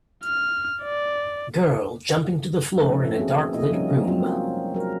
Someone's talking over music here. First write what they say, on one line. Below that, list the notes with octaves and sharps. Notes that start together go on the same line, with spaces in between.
Girl jumping to the floor in a dark lit room.
F6
D5
F3 A3 C#4 D#4 A4 B4
A#3 C4 C#4 F#4 G#4 A4
C3 A#3 E4 D#5
F3 G3 C4 C#4 D#4
F#3 G#3 A#3 C4 C#4 F4
F#3 A#4